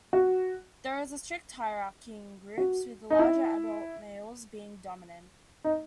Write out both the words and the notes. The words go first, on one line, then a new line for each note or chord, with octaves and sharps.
There is a strict hierarchy in groups, with the larger adult males being dominant.
F#4
F#4
D#4
E4
D#4